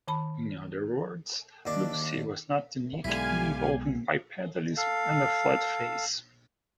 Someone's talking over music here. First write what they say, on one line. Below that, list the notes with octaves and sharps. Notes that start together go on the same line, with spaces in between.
In other words, Lucy was not unique in evolving bipedalism and a flat face.
D#3 A5 B5
D#2 D4
B1 D3 G#3 B3 E4 G4 F5 G#5
A4 F5